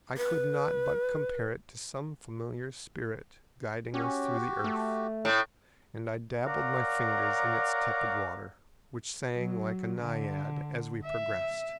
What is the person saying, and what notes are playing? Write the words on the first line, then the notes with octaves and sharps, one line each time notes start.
I could not but compare it to some familiar spirit, guiding us through the earth, and I dabbled my fingers in its tepid water, which sang like a naiad as we progressed.
B4
C#4 F#4 G4
A3
A2
A#4 C#5 D5 F5 F#5 A#5
F#3
D3
E5